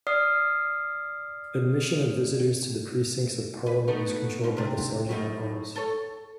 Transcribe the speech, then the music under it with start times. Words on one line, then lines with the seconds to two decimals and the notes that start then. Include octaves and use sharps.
Admission of visitors to the precincts of Parliament is controlled by the Serjeant-at-Arms.
0.07 D5 D#6 F6 C7
3.66 B4
3.88 A3 B3 D#4
4.44 G#2 B2
4.57 C3 D4
5.09 F#2 A2 D#4
5.76 A4 C#5